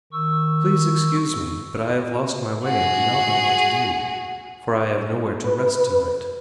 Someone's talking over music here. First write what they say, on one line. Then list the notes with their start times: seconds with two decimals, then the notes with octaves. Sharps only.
Please excuse me, but I have lost my way and do not know what to do, for I have nowhere to rest to-night.
0.13 D#3 C#6 E6
2.64 F#4 G#4
5.44 B4